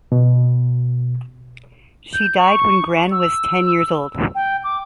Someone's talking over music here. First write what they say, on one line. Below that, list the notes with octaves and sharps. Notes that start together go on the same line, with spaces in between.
She died when Gran was ten years old.
B2
G6
C#6
E6
G5
D6